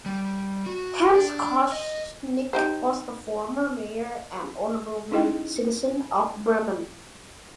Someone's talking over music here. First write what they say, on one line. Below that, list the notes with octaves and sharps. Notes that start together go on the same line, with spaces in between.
Hans Koschnick was the former mayor and Honorable citizen of Bremen.
G3
F#4
D4
D#5
D#4 G4 C5
C#4 D#4 E4 G#4 D#5 G5